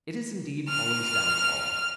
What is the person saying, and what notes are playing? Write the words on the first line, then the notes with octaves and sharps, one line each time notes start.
It is indeed Poland's downfall.
F6